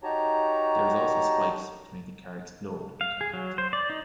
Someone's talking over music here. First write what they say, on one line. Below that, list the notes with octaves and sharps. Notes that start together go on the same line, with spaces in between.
There is also spikes, which make the car "explode" on contact.
D#4 F#4 G4 C#5 A5 A#5
F5
G#4
F#3
C5
D5
D#4